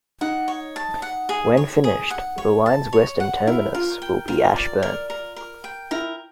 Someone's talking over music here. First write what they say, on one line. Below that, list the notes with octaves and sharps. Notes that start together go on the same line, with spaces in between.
When finished, the line's western terminus will be Ashburn.
D#4 F#5
C#5
A5
F#5
G#4
C#5
G#4
F#5
C#5
A5
C#5
F#5
E4 A#4
F4 A#4
G5
F4 A#4
D5
A#4
A#4
A#4
G5
E4 A#4